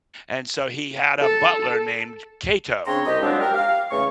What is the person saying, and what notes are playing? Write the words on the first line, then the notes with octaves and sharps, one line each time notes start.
and so he had a butler named Cato,
A4
C#3 C4 D4 C#5 A#5 C6
C2 G4 D#5
F3 F#3 G#3 B3 C4 D4
G4 A#4
F5
E2 C#3 A3 C#6